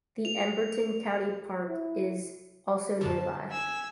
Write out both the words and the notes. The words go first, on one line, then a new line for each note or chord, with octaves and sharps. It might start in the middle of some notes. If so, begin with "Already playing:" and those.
The Emberton Country Park is also nearby.
F7
E4
F#2 B2 D3 A5
G#5 E6